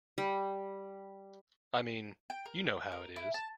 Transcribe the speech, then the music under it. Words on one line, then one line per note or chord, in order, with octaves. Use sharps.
I mean, you know how it is.
G3
G5
A#4
A#4
E4
A5